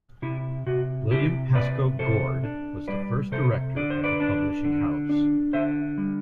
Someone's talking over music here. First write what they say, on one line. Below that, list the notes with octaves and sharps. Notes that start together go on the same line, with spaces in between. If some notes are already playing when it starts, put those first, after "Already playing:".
William Pascoe Goard was the first director of the publishing house.
C3 E4
C3 F#4
C3 E4 G4
C3 B4 D5
C3 A4 C5
D4
G3 B4 D5
C3 A4 C5
D3 D5
C5
B4 D5
D4
D3
D4
D3 C5 E5
G3